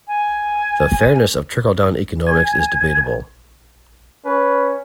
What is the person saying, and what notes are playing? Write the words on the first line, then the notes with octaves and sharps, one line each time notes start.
The fairness of trickle-down economics is debatable.
G#5
G#5
C#4 B4